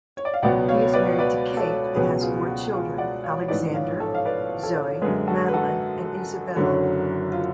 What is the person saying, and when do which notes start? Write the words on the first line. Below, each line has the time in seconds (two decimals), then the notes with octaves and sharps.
He is married to Kate and has four children: Alexander, Zoe, Madeline and Isabella.
0.17 C#5
0.25 D5
0.34 F5
0.42 C#2 B2 F#3 B3 D5 F#5
0.68 C#5 F5
0.94 B4 D5
1.19 B4 D5
1.57 A4 C#5
1.96 C#2 B2 F#3 C#4 G#4 B4
2.21 F4 G#4
2.47 F#4
2.72 F4 G#4
2.98 D5 F#5
3.23 C#5 F5
3.48 A1 G#2 F3 B4 D5
3.74 C#5 F5
4.00 A4 C#5
4.15 F5
4.25 B4 D5
4.63 A4 C#5
5.02 F#2 D3 G#3 G#4 B4
5.28 F#4 A4
5.48 B4
5.53 F#4 A4
6.56 F#1 F#2 D3 F#3 C#4
7.32 F4